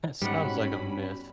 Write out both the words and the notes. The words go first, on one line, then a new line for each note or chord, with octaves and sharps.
It sounds like a myth.
G#2 G3 B3 C#4 F#4 F#5 B5